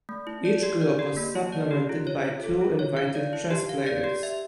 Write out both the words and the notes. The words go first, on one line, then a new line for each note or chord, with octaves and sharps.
Each group was supplemented by two invited chess players.
A3
E4
D5
G4
D5
G4
A#3
E4
D5
G4
F4
C#5
F4
A4
F4
C#5
F5
D5
E4
G4
F5
D5
G4
E5